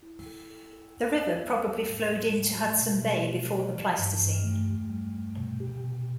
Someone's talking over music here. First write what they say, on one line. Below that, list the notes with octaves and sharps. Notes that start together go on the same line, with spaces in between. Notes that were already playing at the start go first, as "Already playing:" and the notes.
The river probably flowed into Hudson Bay before the Pleistocene.
E4
A4
A4
A4
E2
E2
B3
E2
A2
A2
A2
A3
B2
B2
G4
G4
E3
G2
G2
A3
E2
G3
G3
B2
G4
B2